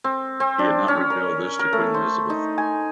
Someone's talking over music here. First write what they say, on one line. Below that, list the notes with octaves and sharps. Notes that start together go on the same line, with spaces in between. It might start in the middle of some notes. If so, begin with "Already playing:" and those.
He had not revealed this to Queen Elizabeth.
C4
C4
D4
C#4
A#4
A#4
A3
C5
D#4
G#5